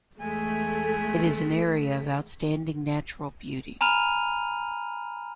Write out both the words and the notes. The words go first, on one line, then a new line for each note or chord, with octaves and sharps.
It is an area of outstanding natural beauty.
E2 G#3 A3 G#5 B6
G#5 A#5 B5 F6 D#7 F7